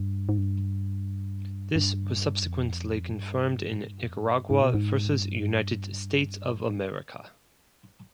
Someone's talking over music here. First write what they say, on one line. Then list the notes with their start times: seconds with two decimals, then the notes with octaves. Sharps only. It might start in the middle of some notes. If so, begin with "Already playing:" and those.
This was subsequently confirmed in "Nicaragua versus United States of America".
Already playing: G2
0.29 G#2
0.38 G2
1.76 G2
2.44 F2
3.13 G2
3.81 G#2
3.92 G2
4.03 F2
4.14 G2
4.51 G#2
4.62 B2
4.74 G#2
5.19 G2